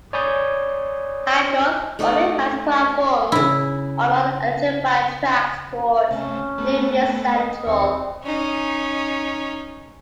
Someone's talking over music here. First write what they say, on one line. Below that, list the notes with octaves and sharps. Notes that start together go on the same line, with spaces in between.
Hyde North only has platforms on the non-electrified tracks towards New Mills Central.
C#5 D5 G#5 B5 D#6 G6
A3 D#4 D5 D#5
C#3 E4
C3 A3 C#4
A3 B3
D#5
D#2 C4 C#5
C#4 D#4